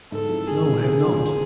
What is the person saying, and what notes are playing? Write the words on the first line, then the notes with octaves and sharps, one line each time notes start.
"No, I have not."
G#2 A4
F3 A3 C4 E4
G#2 G#4
F3 A3 C4 E4
D#2 G#4
C#3 F3
D#2